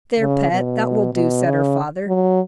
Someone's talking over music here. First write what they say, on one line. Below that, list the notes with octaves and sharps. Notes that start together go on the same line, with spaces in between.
"There, pet, that will do," said her father.
C#3
B2
B2
C#3
F#3